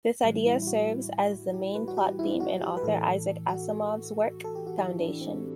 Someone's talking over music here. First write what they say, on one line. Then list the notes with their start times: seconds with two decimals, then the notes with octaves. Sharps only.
This idea serves as the main plot theme in author Isaac Asimov's work, "Foundation".
0.24 A2 E3 G3
0.46 E4
0.62 E4
0.67 F#4
1.54 G4
1.75 B4
1.88 F#4
1.97 G4
2.19 E4
2.40 F#4
2.62 G4
2.77 B4
2.83 A2 E3 A4
3.49 F#4
4.44 A4
4.55 G4
4.67 F#4
4.78 E4
4.99 D4
5.21 C4